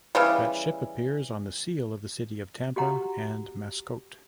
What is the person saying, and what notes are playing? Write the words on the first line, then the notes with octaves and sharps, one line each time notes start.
That ship appears on the seal of the city of Tampa and Mascotte.
C#3 E3 G3
F#4 G4 F#5 A#5